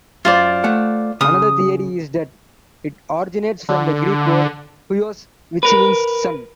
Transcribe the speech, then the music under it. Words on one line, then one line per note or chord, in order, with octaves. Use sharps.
Another theory is that it originates from the Greek word "huios" which means "son".
F#2 F4 C5 D5
A3 F#5
C#3 D#6
D3
A#4 B4